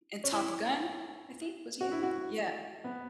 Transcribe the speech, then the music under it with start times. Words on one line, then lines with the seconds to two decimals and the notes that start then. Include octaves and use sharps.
And Top Gun, I think was he in Yeah.
0.24 C#4
0.32 E4
0.41 C#4
1.81 F#4
1.92 E4
2.03 F#4
2.84 B3